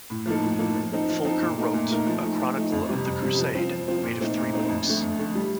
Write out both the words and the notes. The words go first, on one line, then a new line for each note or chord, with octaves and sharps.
Fulcher wrote a chronicle of the crusade, made of three books.
A2
F3 A#3 D#4 A4
A2
F3 A#3 D#4 A4
F3
C4 D#4 A4
F3
C4 D#4 A4
A#2
A3 D#4 A#4
A#2
A3 D#4 A#4
F3
A3 D#4
F3
A3 D#4
F2
C3 G3
F2
C3 G3
F3
C4 F4
F3
C4 F4
A#2
A3 C4 D#4
A#2
A3 C4 D#4
F2
D3 A3
F2
D3 A3
G3